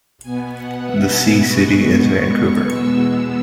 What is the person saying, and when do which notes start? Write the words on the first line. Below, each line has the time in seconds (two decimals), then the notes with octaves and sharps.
The See city is Vancouver.
0.22 B2 B3 G#5
0.53 F#5
0.85 E5
1.15 G#5
1.47 B2 G#3 B3 C#6
2.70 E2 B2 G#3 B3 E6